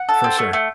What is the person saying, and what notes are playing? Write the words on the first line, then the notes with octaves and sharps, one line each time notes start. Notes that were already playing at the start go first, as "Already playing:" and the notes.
For sure.
Already playing: F#5
A4
C4
A3
A3